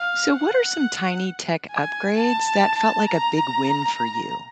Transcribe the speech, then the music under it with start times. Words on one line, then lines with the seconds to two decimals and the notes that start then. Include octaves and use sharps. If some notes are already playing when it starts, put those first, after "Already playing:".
So, what are some tiny tech upgrades that felt like a big win for you?
Already playing: F5
0.38 F#5
1.72 G#5
2.17 A5
3.08 A#5